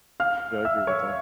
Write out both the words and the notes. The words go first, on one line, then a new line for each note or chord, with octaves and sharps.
Yeah, I agree with that.
F5 F6
E5 E6
C#5 C#6